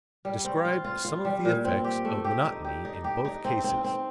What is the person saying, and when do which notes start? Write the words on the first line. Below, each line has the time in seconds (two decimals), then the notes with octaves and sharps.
Describe some of the effects of monotony in both cases.
0.25 G3
0.44 C4
0.65 F4
0.85 F4
1.05 F4
1.25 G3
1.45 A#2
1.65 C4
1.84 G4
2.05 A3
2.25 G4
2.45 D#4
2.65 G4
2.85 D#4
3.04 G4
3.25 D#4
3.45 C4
3.64 C4
3.84 C4